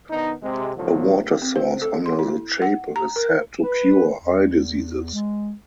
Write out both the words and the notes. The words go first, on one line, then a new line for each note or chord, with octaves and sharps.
A water source under the chapel is said to cure eye diseases.
D#3 B3 D4 D#4
C3 G#3
C2 A2 D3 F3 F#3
C4
C5
A4
C6
E4
F#5
A#5
A#4
B4
E2
G#3